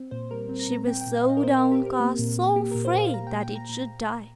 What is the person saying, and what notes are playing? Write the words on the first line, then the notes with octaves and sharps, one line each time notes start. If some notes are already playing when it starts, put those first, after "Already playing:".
She was so downcast, so afraid that it should die!
Already playing: C4
A#2 C5
G3 A#4
C4
A#5
A#2
C4 G5
G5
A#2
F5
A#2 D#5
A#4
C4 C5
C4 A#4
G4
C4
A#4
A#3
A#2
A#3
A#3 G4
A#2 A#4
C5
A#2 F5
A#3 A#5
G5
A#2
G5
A#2 A#5
A#2 A#5